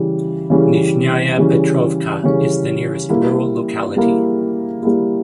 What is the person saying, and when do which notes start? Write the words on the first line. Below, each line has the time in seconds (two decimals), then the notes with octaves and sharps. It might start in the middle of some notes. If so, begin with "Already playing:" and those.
Nizhnyaya Petrovka is the nearest rural locality.
Already playing: C#3 E3 G3 C#4
0.50 C#3 E3 G3 C#4
1.37 C#3 E3 G3 C#4
2.24 C#3 E3 G3 C#4
3.09 G3 A#3 E4
3.96 G3 A#3 E4
4.83 G3 A#3 E4